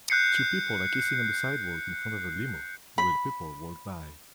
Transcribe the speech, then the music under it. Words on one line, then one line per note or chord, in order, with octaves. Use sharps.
Two people are kissing on a sidewalk in front of a limo while people walk by.
F#6 G6 C7 C#7
B5